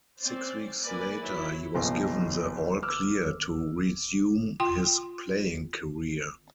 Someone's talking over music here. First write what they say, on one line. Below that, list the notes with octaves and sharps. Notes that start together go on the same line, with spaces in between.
Six weeks later, he was given the all-clear to resume his playing career.
C4 C#4 C5 D5
A#3 A#4 B4 D5 G#5
F#3 E4
F#1 B1 B2 F3 C6
D6 E6 F6
F4 G5 C6